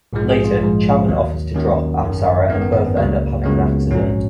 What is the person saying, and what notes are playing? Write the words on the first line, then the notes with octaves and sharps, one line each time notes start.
Later Chaman offers to drop Apsara and both end up having an accident.
A#1 G#2 F3 G#3
G#4
F4
A#1 G#2 F3 G#3
D#2 D#3 F#3
D#2 D#3 F#3 C#4
G#1 F#2 D#3
G#1 F#2 D#3 B3
B3
B3
C#4
C#2 C#3 F#3 A#3
C#2 C#3 F#3 B3
A#1 G#2 F#3 C#4